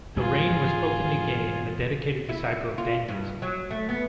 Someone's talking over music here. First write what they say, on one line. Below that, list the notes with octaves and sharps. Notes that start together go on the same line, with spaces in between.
Lorrain was openly gay and a dedicated disciple of dandyism.
E2 G#2 G3 F4 G#4
E4
F4
G2
F#3
A3
B3